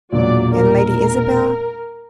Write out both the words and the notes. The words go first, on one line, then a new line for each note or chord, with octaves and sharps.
And Lady Isabel?
E1 A#2 F#3 D5
A#4